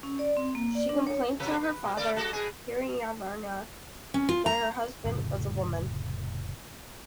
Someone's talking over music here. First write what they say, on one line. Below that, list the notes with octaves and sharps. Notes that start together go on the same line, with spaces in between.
She complained to her father, Hiranyavarna, that her husband was a woman.
C#4
D5
C4
A#3
D5
D4
C#5
C3 F#3 B4
B4
A#2
A3 D5
G3 F#4 A4
B2 G#4
C#4
F4
A#5
F1 A2 C#3